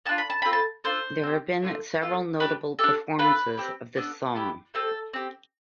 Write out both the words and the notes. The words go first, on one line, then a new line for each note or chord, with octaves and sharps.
There have been several notable performances of this song.
B3 D4 F4 A5
B5
A5
C4 F4 A4 B5
A5
D4 F4 A4 C5
C4 G4
A3 D4 F4
B3 F4 A4
D4 G4 B4
D4 G4 A4
B3 F4 A4 B4
C4 G4
B3 D4 A4
B3 E4 G4
A3 C4 G4 A4
C4 G4